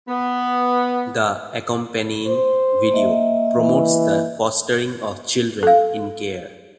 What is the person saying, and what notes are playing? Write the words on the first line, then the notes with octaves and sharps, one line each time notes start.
The accompanying video promotes the fostering of children in care.
B3
C5
A#3 D#5 E5
E3
A4 F5